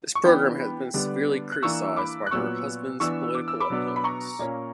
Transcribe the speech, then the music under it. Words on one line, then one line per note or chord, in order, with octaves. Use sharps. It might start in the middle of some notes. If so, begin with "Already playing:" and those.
This program has been severely criticized by her husband's political opponents.
C#6
E3 B3 D4 G5 B5
D3 G3 B3 D4
F#6
E3 A#3 D4 C#6 E6
B5 D6
F#6
A#2 F#3 B3 C#6 E6
E3 B3 D4 C#6 E6
D6
E6
B5 D6
B2 F#3 B3 D4
B5
A#5 C#6
A#2 A#3 C#4